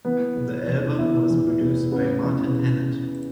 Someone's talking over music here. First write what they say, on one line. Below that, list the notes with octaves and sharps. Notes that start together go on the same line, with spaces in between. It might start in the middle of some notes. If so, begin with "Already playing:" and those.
The album was produced by Martin Hannett.
E3 B3
E2
E3
E2 E4
E3
E2
C#3 B3
E3